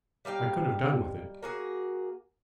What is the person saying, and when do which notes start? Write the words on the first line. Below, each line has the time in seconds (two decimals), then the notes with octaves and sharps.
I could have done with it.
0.25 G3 D#4 F5 G5
1.43 A#3 F#4 G#4